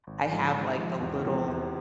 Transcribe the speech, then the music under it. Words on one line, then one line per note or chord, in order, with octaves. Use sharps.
I have, like, the little,
G#1
G#2 F3
G#1
G#2 F3
E2
C3 F3 G#3
E2